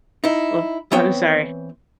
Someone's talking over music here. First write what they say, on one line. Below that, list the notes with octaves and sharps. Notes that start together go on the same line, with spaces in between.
oh, I'm sorry,
D#4 E4
E3 B3 C4 C#5 G5